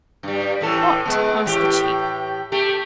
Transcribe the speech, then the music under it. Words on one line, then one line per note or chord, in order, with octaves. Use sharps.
"What?" asked the chief.
G2 G3
A2 E3 A4
G#3 B3
A2 E3 G4
A3 G4